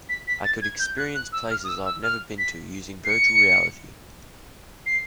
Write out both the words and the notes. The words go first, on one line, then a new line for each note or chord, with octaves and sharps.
I could experience places I've never been to using virtual reality.
B6
B6
A6
G#6
G6
F#6
F#6
E6
F6
D#6
E6
E6
F6
B6
C7
C#7
C7